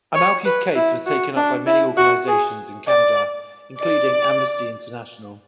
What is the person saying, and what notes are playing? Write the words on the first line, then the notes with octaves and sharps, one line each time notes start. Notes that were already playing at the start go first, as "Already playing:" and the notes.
Almalki's case was taken up by many organizations in Canada, including Amnesty International.
C#5
B4
E4
F#4
D4
E4
F#4
G#4
D5
D5